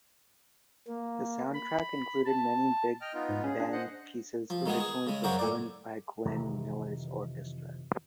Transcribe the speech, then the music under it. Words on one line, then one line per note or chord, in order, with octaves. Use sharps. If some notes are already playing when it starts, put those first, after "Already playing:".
The soundtrack included many big band pieces originally performed by Glenn Miller's orchestra.
A#3
B5
A5
D#5 G5 F6
B3 D#4 F4
G#2
C#4 G#4
D4
C5 D#5 F#5
F3
D#3 G#3 B3 G#4
G#4
C#3 G#3
F#2 C#3 F#4 A#4 C5
A2 D5
F2 C3 D#3 E3